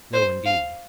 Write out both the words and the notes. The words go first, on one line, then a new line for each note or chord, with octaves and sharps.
No, indeed.
C5
F5